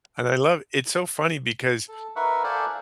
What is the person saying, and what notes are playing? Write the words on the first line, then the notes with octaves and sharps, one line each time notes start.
And I love it's so funny because
A4
D#4 A#4 B4 E5 F#5 C#6
A4 C5 D5 F5 F#5 G#5